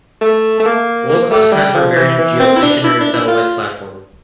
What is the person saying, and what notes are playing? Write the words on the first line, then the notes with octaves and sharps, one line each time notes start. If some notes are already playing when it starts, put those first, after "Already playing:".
Low cost transfer variant geostationary satellite platform.
A3
A3
A#3
A#3
A3
G3
F3
E3
E3
C4
E4
D4
E4
D4
E4
F4